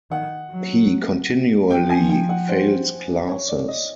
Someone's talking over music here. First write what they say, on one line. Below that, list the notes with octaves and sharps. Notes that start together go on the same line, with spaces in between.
He continually fails classes.
D#3 F#5
F#3
F3 G5
G#5
G5
F#5
C5
C#5
D5
D#5